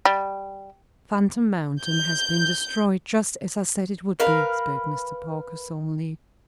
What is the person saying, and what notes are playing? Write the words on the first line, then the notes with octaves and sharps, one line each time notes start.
"Phantom Mountain has been destroyed, just as I said it would be," spoke Mr. Parker, solemnly.
G3
G6
A#4 B4 F5